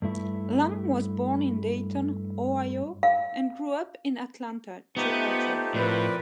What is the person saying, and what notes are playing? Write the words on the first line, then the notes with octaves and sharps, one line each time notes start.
Lang was born in Dayton, Ohio, and grew up in Atlanta, Georgia.
G2 A3 E4
F5
A3 B3 D#4 F4 G4 A4 C5
A2 F3 C4 A#4 B4 D5